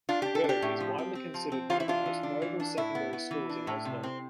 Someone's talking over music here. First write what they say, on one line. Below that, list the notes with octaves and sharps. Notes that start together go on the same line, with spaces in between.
Berg is widely considered one of the most notable secondary schools in Oslo.
D4 F4
D4 G4
A4
D4
G4
A2
F3
C4
C4
F3
C4
E3 F4
E4
D4 F4
E3
D4
E3
D4
A2 E4
B3
B3
E3
D4
A2
C3
C4